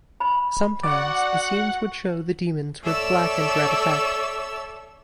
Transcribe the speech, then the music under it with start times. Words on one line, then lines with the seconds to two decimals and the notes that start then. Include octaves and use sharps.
Sometimes the scenes would show the demons with black and red effect.
0.20 B5
0.83 F#4 D5 F#5
2.82 A4 C#5 D5 E5 E6